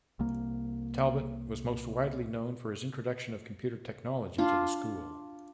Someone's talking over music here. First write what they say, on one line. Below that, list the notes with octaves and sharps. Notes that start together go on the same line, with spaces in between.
Talbot was most widely known for his introduction of computer technology to the school.
C2 A#3
D4 F4